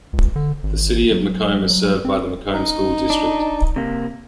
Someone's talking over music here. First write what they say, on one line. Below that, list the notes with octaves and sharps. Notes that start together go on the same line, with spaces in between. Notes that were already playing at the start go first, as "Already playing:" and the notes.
The City of McComb is served by the McComb School District.
C#2
D3
G#1
F#3
F#3
C4
D#4
D4
C3 A#3